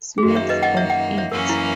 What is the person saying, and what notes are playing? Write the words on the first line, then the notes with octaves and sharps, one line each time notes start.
Smith's got it.
G#4
F#2 D#3 A#3 F#4
C#5 E5
B4 D#5
D#5 F#5
C#5 E5
D#5 F#5
C#5 E5
F#2 E3 A#3 C#4 A#4
E4